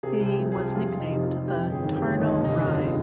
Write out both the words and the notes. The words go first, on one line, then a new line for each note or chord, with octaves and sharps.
He was nicknamed the "Tarno Rye".
C3 G#4
C2
G4
F3
C2 G#4
G4
F2 F4
F1
D#4
C3
F4
F1
F2 G4
G1
G#4
D#3
G4
G1
D#2 D#4
F1
D#4
D3
F4
F1
G#4